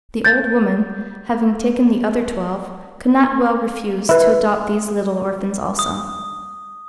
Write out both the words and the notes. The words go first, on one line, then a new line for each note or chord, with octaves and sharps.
The old woman, having taken the other twelve, could not well refuse to adopt these little orphans also.
G6 A6
E4 B4
D#6